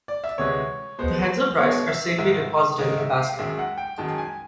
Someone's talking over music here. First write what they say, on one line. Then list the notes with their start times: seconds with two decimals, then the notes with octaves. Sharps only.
The heads of rice are safely deposited in the basket.
0.08 D5
0.24 E5
0.38 D2 C3 E3 G#3 C#5
0.98 B2 G#3 B3 C5
1.58 B2 G#3 B3 C#5
1.89 E5
2.18 G#2 D#3 G#3 E5
2.78 G#2 D#3 G#3 D#5
2.98 E5
3.18 F5
3.39 F#2 D#3 G#3 E5
3.59 F#5
3.78 G5
3.98 F#2 D#3 G#3 A5
4.18 G#5